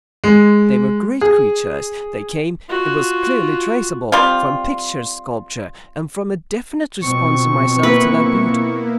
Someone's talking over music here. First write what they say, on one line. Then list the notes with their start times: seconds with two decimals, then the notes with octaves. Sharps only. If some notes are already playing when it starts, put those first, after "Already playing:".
They were great creatures. They came, it was clearly traceable, from pictures sculpture--and from a definite response in myself to their beauty.
0.24 G#3
1.21 G#4
2.69 F4 F#4
4.12 G3 C4 F4
7.03 B2 F3 C4 C#6
7.83 A#3 B3 E4 B4